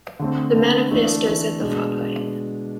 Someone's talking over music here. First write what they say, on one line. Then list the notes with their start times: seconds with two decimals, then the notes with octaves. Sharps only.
The manifesto said the following.
0.19 D3 A3 C4
0.55 D3 A3 C4
0.91 E3 A3 D4
1.25 E3 A3 D4
1.60 B2 G#3 D4